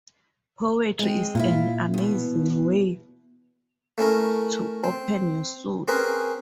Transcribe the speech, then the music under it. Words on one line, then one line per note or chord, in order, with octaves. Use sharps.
Poetry is an amazing, way to open up your soul.
G#3 C4
A#2 E4 F4 F5
E2 B2
A3 C#4 E4 A#4
C4
C4 C#4 G#4 A#4 B4